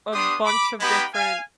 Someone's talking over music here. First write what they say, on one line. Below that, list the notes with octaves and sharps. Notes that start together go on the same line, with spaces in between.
a bunch of different
B3 D4 G4 C6 D#6
B5 D6
G#3 B3 D#4 G4 G5 B5
F5 G#5